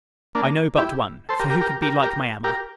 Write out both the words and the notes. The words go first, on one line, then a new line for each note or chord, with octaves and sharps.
I know but one; for, who can be like my Emma?
A#3 D4
E4 G4
A4 C5
G4 A#4
G4 A#4
G4 A#4
G4 A#4
G4 A#4
G4 A#4